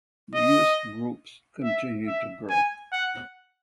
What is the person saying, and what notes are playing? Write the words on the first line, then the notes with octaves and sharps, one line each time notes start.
The youth groups continue to grow.
D#5
E5
E5
G#5
F#5